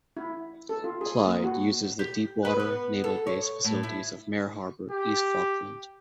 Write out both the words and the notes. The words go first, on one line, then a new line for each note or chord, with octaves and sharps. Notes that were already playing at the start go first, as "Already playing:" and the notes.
"Clyde" uses the deepwater naval base facilities of Mare Harbour, East Falkland.
E4
A4
F4
G#4
A#3
F#4
G4
B4
B3
A4
C#5
A2
E4
G4